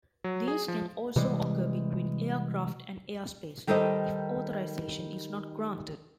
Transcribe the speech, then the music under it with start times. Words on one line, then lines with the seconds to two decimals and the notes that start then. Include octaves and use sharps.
Deals can also occur between aircraft and airspace, if authorization is not granted.
0.24 F#3
0.48 G#4
0.68 F3
1.16 C3 E3 G3 G#3
3.67 D#3 G3 A4 A#4 C5 D#5